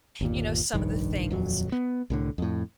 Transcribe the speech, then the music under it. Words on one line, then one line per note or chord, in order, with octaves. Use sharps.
you know, some of the things
G1 D#2 A#2
F1 A#1 G2 D#3
D#1 F2 F#3
B3
C2 A2 D3
F2 A2